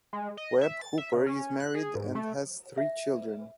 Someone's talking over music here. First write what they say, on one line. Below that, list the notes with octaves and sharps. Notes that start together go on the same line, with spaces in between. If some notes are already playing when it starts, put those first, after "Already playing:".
Webb Hooper is married and has three children.
G#3
D#5
E5
A6
E5
C#3
C#4
F#6
G#4
G#2
A3
E5